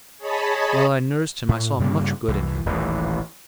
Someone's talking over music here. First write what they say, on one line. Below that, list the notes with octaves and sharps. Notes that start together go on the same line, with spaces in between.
While I nursed him I saw much good in him.
G#4 C#5 D#5 A5 B5
A2
G2 C#3 G3 A#3
C2 E3
D#1 A1 D#2 E3